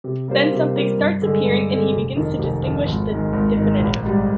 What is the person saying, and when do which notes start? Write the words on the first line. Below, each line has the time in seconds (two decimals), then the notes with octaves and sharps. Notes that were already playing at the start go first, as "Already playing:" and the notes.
Then something starts appearing and he begins to distinguish the definitive.
0.04 C3
0.28 G3 A#3 F4 C5
0.52 C3
0.76 G3 A#3 F4 C5
0.98 G2
1.22 D3 G#3
1.45 G2
1.69 D3 G#3
1.92 F1
2.16 F2 D#3
2.39 F1
2.62 F2 D#3
2.86 G#1
3.09 G#2 D#3
3.33 G#1
3.57 G#2 D#3
3.80 A#1
4.04 G#2 G3